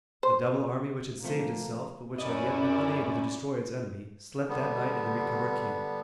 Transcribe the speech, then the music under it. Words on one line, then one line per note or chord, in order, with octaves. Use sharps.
The double army which had saved itself, but which had yet been unable to destroy its enemy, slept that night in the recovered camp.
C5
C3 F3 A3 A#3
F#2 C#4 E4 B4 D5 D#5
D3 G3 B3